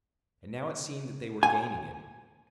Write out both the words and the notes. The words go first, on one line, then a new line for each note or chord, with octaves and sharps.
And now it seemed that they were gaining it.
G#5